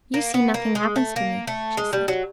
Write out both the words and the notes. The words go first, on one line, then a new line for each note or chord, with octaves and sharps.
"You see nothing happens to me," she said.
A#3
B3
A#3
G#3
A3
A#3
A3
G#3
G3
F#3